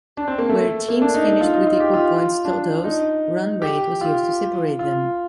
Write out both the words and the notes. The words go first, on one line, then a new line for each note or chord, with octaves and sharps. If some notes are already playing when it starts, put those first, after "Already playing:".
Where teams finished with equal points totals, run rate was used to separate them.
D4
C4
A#3
A3
A#3
D4
D#4
D#4
F4
D#4
F4
G4
F4
D4
D#4
G4
F4
F4